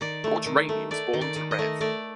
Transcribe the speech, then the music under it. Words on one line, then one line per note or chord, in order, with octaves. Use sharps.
George Rainy was born to Rev.
D#3 D5
A3
D#3
A3
A3 D5
D#3
D5
D#3
D#5
A3
A3 D5